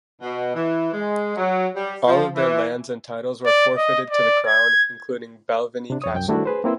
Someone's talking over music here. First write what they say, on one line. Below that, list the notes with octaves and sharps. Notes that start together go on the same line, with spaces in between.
All of their lands and titles were forfeited to the Crown, including Balvenie Castle.
B2
E3
G#3
F#3
G3
F3
E3
D5
D#5
D5
G#6
C3 D4
F2 C#5 D#6
C2 F#2 G5
D#3 G3 A3 D4 E4 F#4
G#4 B4 C5
A#3 C4 E4 B4 C5